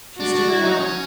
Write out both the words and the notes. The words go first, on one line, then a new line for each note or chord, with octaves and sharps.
She stooped down.
D4 F#4
D4
E4
D#4
C#4